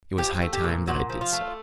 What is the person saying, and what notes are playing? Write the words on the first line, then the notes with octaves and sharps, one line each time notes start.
It was high time that I did so.
F3 G4
A3
G4
A#2
A#2 F#4
F3
F4
A3